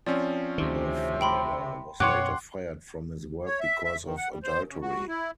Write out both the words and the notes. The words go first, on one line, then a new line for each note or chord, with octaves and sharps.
Her father was later fired from his work because of adultery.
F3 C4 C#4 D5
D2 C3 D#3
G5 B5 C6
F#2 B2 C#5 F#5 G5 C6 D6 F#6
C#5
E5
E5
D#3
F#5
G3
C5
C#3
F#4
E4